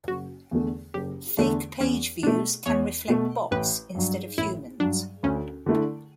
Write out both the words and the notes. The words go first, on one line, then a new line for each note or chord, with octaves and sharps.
Fake page views can reflect bots instead of humans.
F#1 F#4
E2 D3 A3
F#1 G4
E2 D3 A3
E2 C#4
B2 A3 D4
E2 C#5
B2 A3
A1 B4
G2 F#3
A1 E4
G2 F#3 D4
D2 C#4
D3 A3 E4